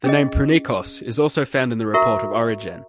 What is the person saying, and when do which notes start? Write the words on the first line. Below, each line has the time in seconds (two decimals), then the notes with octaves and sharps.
The name Prunikos is also found in the report of Origen.
0.04 C#4 G#4 D#5
1.94 F#4 A#4 E5 A#5 C#6